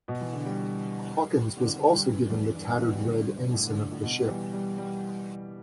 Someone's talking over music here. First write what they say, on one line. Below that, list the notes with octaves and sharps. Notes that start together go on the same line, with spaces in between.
Hawkins was also given the tattered Red Ensign of the ship.
B2
E3
D3
G3
D3
D3
G3
E3
E2
G2
B2
E3
G3
D3
G2
G2
A2
D3
A2
B2
G3
E3
G3
G3